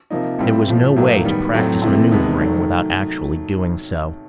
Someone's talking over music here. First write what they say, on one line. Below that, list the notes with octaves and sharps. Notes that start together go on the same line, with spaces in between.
There was no way to practice maneuvering without actually doing so.
C3 F3 A#3 D#4
A#2 G3 C4 E4
A2 F3 A3
A2 F#3 A#3
D#3 G3 B3
A2 F#3 A3 C4
C3 E3 A3 C4
F2 C3 D#3 G#3 B3
D#3 F#3 A3